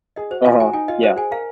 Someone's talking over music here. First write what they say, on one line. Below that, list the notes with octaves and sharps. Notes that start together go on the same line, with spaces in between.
Uh-huh. Yeah.
G#4 D#5
F#4 C5
F4 G#5
F#4 G#5
D#4 G#5
F4 D#5
F#4 C5
G#4 G#5
A#4 F5